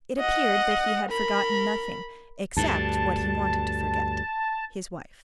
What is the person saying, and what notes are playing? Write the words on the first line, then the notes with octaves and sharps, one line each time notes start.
It appeared that he had forgotten nothing except what he wanted to forget--his wife.
D#5 F#5
A#4 B5
D2 G2 A5